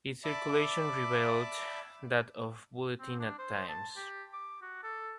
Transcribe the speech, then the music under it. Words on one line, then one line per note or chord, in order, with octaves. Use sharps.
Its circulation rivalled that of the "Bulletin" at times.
D5 E5 A5 B5 D6
C4
D4
C5
A5
G4
D6
F#4
A4